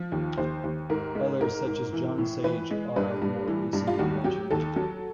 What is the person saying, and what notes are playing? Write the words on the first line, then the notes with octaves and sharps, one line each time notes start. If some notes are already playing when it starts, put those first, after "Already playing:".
Others, such as John Sage, are of more recent invention.
Already playing: F3
D#2
D#2 C5
D#2
G#2 A#4
G#3
G#2 A#4
G#2
E3
A2
E3 B4
G#3
G2 B4
G2
E3
G2
F4
D#2 F#4
F#3 G4
D#2 A4
F#3